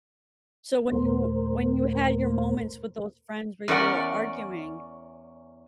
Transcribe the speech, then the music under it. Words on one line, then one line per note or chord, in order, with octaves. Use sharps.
So when you when you had your moments with those friends where you were arguing,
D#2 A#2 A3 A#4 C5
E2 C#4 A#4 D5 F#5